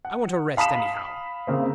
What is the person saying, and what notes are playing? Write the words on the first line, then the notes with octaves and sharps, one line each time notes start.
"I want a rest anyhow...."
F#5
F5 B5 D#6 B6 E7
C#3 A#3 C4